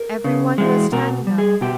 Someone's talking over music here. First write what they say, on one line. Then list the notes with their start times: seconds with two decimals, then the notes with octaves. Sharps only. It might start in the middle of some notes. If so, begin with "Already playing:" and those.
Everyone was standing up.
Already playing: A#4
0.24 C#3
0.58 E3 G#3
0.92 B2 A#4
1.27 G3
1.38 G#4
1.61 B2 G4